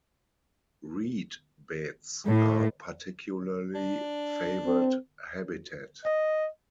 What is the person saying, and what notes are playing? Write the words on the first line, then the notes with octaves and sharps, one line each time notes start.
Reed beds are a particularly favoured habitat.
A2
D4
C4
D#5